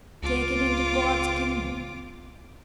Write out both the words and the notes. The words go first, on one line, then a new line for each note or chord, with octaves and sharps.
Take it into God's kingdom!
C#2 F4 D6